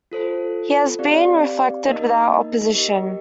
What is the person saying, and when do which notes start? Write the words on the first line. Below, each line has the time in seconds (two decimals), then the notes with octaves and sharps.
He has been reflected without opposition.
0.12 F4 A4 C5
0.99 C4 G4 D5 F5
1.87 A#3 D#4 A#4 D#5
2.74 G4 A#4 D#5